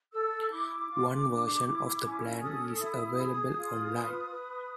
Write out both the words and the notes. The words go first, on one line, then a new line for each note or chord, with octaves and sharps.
One version of the plan is available online.
A4 E6
E4 D6
F4
D4
E4
C#4
A4 D#6
E4
G#4
F4
B4
B4